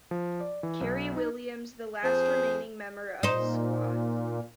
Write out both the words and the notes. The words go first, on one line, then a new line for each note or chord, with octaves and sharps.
Kerry Williams, the last remaining member of his squad.
F3
D5
E3
B1
D#4
F2 G#4 C5
A#2 D#4 C5